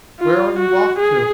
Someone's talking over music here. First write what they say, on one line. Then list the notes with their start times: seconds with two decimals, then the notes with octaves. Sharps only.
"Where are you off to?"
0.20 F4
0.59 F#4
0.99 G#4